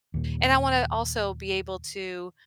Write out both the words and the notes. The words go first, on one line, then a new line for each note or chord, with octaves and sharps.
and I wanna also be able to,
D#2 A#2